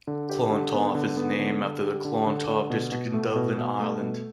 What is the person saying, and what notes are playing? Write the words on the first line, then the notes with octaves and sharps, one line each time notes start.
Clontarf is named after the Clontarf district in Dublin, Ireland.
D3
G4
D3
B3
D3
B3
D3
D3
G4
D3
D3
D3
B2
B2
A3
B2
B2
A3
B2